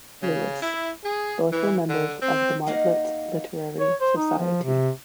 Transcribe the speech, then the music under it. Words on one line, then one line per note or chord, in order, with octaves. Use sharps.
Lewis: both were members of the Martlets Literary Society.
C#3
E4
G#4
E3
D3
C4
A#3 D#4 D#5 F5 F#5
C#5
C5
D#4
F3
C3